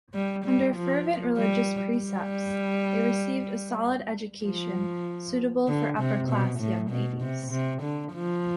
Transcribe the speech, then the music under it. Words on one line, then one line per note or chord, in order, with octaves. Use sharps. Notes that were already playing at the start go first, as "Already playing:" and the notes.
Under fervent religious precepts, they received a solid education, suitable for upper-class young ladies.
G3
G3
F3
G3
G3
F3
D3
C3
B2
A2
B2
C3
C3
D3
F3